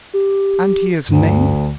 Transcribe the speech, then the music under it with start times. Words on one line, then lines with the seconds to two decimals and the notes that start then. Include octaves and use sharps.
"And he is named?"
0.14 G4
1.08 D2 G2